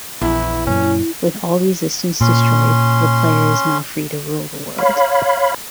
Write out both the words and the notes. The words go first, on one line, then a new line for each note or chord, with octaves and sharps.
With all resistance destroyed, the player is now free to rule the world.
A#1 E2 E4
F#2 A#2 C#4
A#2 C#4 C6
C#5 F5 B5